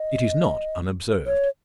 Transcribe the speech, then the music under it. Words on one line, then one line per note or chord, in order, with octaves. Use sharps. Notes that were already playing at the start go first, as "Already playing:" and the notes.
It is not unobserved.
Already playing: D#5
C#5